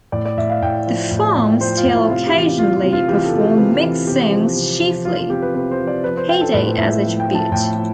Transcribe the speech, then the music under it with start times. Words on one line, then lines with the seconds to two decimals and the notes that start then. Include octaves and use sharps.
The Frames still occasionally perform Mic's songs-chiefly "Heyday"-as a tribute.
0.12 A2 D5
0.25 D5
0.37 A2 E5
0.50 F5
0.62 A2 G5
0.86 F3
1.11 A2
1.36 A2
1.60 F3 C5
1.77 F4
1.85 A2
1.94 E4
2.09 C3 F4
2.26 G4
2.35 E3
2.59 E3 F4
2.76 F4
2.83 C3
2.92 F4
3.08 E3 G4
3.25 A4
3.33 C3
3.42 G4
3.57 C3 B4
3.82 E3
4.07 C3 G4
4.31 F3
4.56 C3
4.81 F3
5.05 F3 F4
5.18 F4
5.30 C3 G4
5.42 B4
5.55 C3 B4
5.71 C5
5.79 F3
5.87 D5
6.04 F3 B4
6.17 C5
6.28 F3 G5
6.41 A4
6.53 A2 B4
6.66 C5
6.78 A2 E5
7.03 F3
7.20 G5
7.28 F3
7.35 A5
7.52 A2 G5
7.77 F3